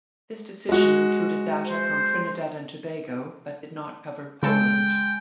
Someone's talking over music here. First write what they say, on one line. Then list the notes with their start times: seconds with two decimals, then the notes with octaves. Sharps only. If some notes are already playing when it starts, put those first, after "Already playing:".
This decision included data from Trinidad and Tobago but did not cover Poland.
0.69 G#3 F#4
1.65 C5
4.43 C#3 G#3 A4 G5